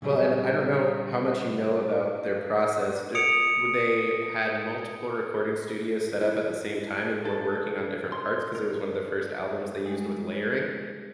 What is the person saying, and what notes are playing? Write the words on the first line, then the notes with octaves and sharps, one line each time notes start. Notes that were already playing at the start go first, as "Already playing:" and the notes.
Well, and I don't know how much you know about their process. D w they had multiple recording studios set up at the same time and were working on different parts- 'cause it was one of the first albums they used with layering.
A#2 C#3 F#3 G3 D#4 G#4
D#6 C#7 D7 F7
E4
A4
C6
A#4
G3 G#3 D#4